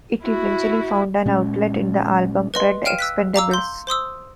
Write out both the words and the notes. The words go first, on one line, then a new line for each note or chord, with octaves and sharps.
It eventually found an outlet in the album "Red Expendables".
E4 F#4
A#2 G#3 C#4
B4 D#5 C6
F5 G5 F6 D#7 E7
E6 F#6 B6
F5 A#5 D6 E6
C6 G6
C5 C6 D#6 E6